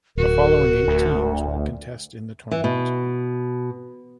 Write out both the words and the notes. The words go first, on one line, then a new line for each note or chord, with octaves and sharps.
The following eight teams will contest in the tournament.
D1 F#4 A#4
D2
E3
B2